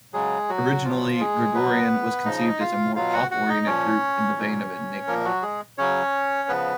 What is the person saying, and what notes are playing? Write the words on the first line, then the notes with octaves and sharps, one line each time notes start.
Originally, Gregorian was conceived as a more pop-oriented group in the vein of Enigma.
C#3 F#3 G#3 G#4
F#3 F#4
A#2 F3 F#3 F4
G#3 G#4
B2 F#3 B3 B4
C#3 F3 D#4 D#5
F4 F5
B2 F#3 F4 F5
F#4 F#5
F#4 F#5
D#4 D#5
A#2 F3 C#4 C#5
A#2 F#3
A#2 F3 A#3 A#4
F#3 F#4
G#3 G#4
C#3 F#3 C#4 C#5
C#3 F3 B3 B4